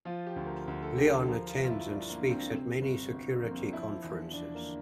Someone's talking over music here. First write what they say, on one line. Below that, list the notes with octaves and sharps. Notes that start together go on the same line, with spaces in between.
Lyon attends and speaks at many security conferences.
F3 F4
G4
D2
A#4
D2
A4
D3 G4
A4
F3 A#4
F4
G1
F4
E4
G1 D4
A#3
G2
C4
C3
G1
G1
F2 A#3
C4
D4
F3 E4
E2
E2 D4
A#3
D3